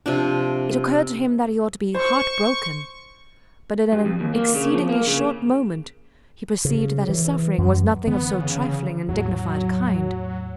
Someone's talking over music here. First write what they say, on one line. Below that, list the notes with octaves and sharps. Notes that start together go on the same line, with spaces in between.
It occurred to him that he ought to be heart-broken; but in an exceedingly short moment he perceived that his suffering was nothing of so trifling and dignified a kind.
C3 F3 D4
C5 C#6
G2
F2
D#2
A#3
C#3
F3
A#3
C#3
C#3
E3
F#2
D3 E3 B3
C#3
E2 A2 F#3